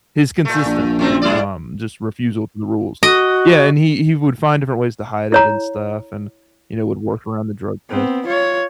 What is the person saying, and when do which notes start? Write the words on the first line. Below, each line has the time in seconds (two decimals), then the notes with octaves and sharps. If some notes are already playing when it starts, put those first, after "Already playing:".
his consistent, u um, just refusal to the rules. Yeah, and he he would find different ways to hide it and stuff and, you know, would work around the drug tests.
0.45 A#2 A3
0.66 A#1
0.99 F2 A3 C4
1.22 G3 E4 D5
3.03 F#4 D#5
5.32 E4 C#5 A#5
7.90 B3 C4
8.26 F4 C#5